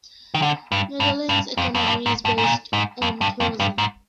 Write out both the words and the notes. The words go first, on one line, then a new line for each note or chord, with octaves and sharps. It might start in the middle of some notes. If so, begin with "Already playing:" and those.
Medulin's economy is based on tourism.
D#3
D3
G2
G2
G2
F2
F2
G2
G#2
G2
G#2
A#2
G#2
F2
G2
F2
G2
G#2